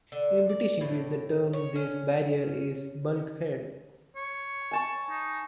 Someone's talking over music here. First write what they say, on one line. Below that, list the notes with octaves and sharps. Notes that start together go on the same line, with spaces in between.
In British English, the term for this barrier is bulkhead.
D3
D5
A2
C#5
C#4
C#5
G#5 A5 C#6
D#4